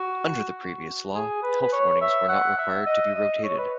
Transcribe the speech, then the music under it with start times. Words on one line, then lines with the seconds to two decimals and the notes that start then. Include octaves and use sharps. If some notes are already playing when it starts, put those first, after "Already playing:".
Under the previous law, health warnings were not required to be rotated.
Already playing: F#4
1.15 G#4
1.43 B4
1.61 B4
1.73 C#5
2.01 E5
2.29 F#5
2.58 E5
2.86 D#5
3.15 D#5
3.44 C#5
3.58 B4